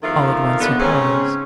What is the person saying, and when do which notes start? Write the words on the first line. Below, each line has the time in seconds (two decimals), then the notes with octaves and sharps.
All at once he paused.
0.03 E2 D#3 F3 A3 E5 F5
0.60 D#2 B2 D3 B3
0.79 G#2 C#3 C4 C#4